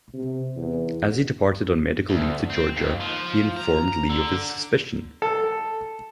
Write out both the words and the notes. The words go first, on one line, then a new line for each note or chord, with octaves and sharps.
As he departed on medical leave to Georgia, he informed Lee of his suspicion.
C3
E2
D2
C4
D#2
F3
A#5
D3
A4